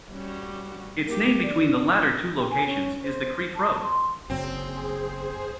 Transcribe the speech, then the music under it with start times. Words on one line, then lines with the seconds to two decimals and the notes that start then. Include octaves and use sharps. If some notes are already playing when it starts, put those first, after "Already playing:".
Its name between the latter two locations is the Crieff Road.
0.12 G3 C#4 F#4
1.06 A#3 G4 A#4
1.43 D4 D5
2.35 G4
2.50 G#5
2.67 C#4
3.03 C5
3.56 A5
3.83 C6
4.30 F#1 F#3 C4 G#4 C5